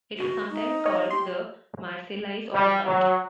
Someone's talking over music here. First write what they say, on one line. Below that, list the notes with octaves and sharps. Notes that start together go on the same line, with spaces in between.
It was sometimes called "the Marseillaise of the South".
F#4
D#4
C#5 D#5
G4 C6
G3
F#3